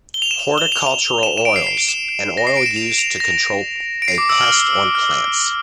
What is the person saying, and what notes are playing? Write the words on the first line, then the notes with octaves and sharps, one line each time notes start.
Horticultural oils: An oil used to control a pest on plants.
G7
F7
E7
F7
G7
F7
F7
E7
E7
D7
C7
C7
D7
E7
A#6
C7
D7
E7
F7
F7
A#6
D7
C7
D6
E6
F6
F6
F6